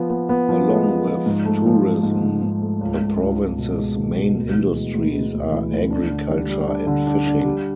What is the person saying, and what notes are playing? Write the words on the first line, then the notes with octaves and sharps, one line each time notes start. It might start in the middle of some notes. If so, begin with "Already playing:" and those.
Along with tourism, the province's main industries are agriculture and fishing.
Already playing: F3 B3
B3
B3
F3
G#3
F3
F3
G#2
A3
F3
F3
G#2
G#2
G#2
A3
C#2
C#2
C#2
C#2
B2
G#3
B2
B2
D2
E3
G#3
D2
G#3
D2
E3
D2
D4
D3
G3
G3
D4
D3
D4
D4
G3